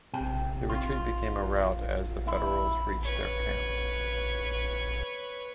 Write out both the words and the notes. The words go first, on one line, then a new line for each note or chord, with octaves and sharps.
The retreat became a rout as the Federals reached their camp.
C3 G5
F4
E4
B4 C#5